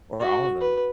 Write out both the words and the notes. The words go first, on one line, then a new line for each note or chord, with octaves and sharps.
Or all of them?
F#4
B4